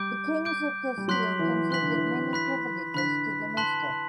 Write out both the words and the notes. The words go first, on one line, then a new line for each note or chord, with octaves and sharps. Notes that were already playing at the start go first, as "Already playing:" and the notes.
The kings of Castile conceded many privileges to the Mesta.
Already playing: G3 D6 G6 D7
D6 G6 D7
G3
F#3 C6 F#6 B6 F#7
E3
E3 C6 F#6 B6 F#7
D3
E3
B5 F#6 B6
D3 B5 F#6 B6
A5 C6 F#6 B6 F#7